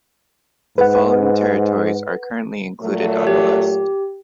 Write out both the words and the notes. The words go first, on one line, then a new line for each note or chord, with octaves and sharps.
The following territories are currently included on the list.
G#2 B4 F#5
A#2 F#3 A3
G4